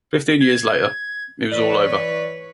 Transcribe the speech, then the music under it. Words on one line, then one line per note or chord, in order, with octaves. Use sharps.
Fifteen years later, it was all over.
G#6
E3 B4 C#5 D5